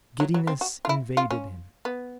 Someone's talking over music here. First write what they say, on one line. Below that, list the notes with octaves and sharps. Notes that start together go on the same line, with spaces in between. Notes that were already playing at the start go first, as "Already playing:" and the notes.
Giddiness invaded him.
F#3
F#3
C4
F#4
F4
E4
F4
C#4
B3